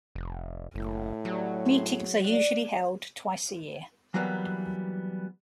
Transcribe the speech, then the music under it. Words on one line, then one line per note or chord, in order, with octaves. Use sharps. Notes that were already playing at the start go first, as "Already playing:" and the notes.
Meetings are usually held twice a year.
F1
F#1 A2
F#3 G3
G#4 C5
D4 E5
E3 F#3 G3 A#3 B3